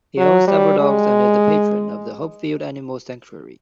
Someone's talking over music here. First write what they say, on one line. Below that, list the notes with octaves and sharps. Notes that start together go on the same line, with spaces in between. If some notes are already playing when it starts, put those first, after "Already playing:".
He owns several dogs and is a patron of the Hopefield Animal Sanctuary.
F#3
G3
G#3